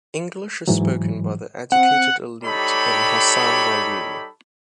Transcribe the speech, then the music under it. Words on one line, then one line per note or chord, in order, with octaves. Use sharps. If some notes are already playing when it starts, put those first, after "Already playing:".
English is spoken by the educated elite in Hassan Wali.
G#2 E3 F#3
C4 F#5
G3 D#4 G4 A4 C#5 B5